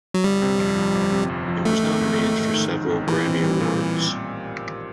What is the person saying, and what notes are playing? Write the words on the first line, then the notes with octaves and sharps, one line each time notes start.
It was nominated for several Grammy Awards.
F#3
G1 G3
C3
F2
F3
G1
C3
F2
F3
A1 A3
D#3
G#2
A1
A1
D#3
G#2
A1
A#2 E3
C4
G3
A#2